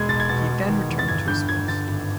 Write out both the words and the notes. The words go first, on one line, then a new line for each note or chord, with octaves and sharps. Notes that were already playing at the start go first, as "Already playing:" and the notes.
He then returned to his post.
Already playing: E1 G#3 G#6
B1 A6
G#6
B2 A6
G#3
D#3
E2
A6
G1 G#6
G2 G6
G1 G#6
D3 A6
G#1